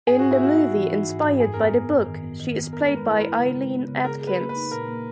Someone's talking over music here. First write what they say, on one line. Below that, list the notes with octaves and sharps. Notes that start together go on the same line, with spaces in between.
In the movie inspired by the book, she is played by Eileen Atkins.
G#2 G#4
F#4
G#2
E4
B3 F#4
D#4
E3
D#4
G#2
G#2
F#2 G#4
B3 A#4
G#4
B3
F#2
D#3
B3
D#3
B3
B3 A#4
G#3 A#4
B4
E4 A#4
E4 B4
C#3
G#3
B3
C#3
G#4 A#4
G#4
B4
A#3
B4
D#4
A#2 A#4
A#3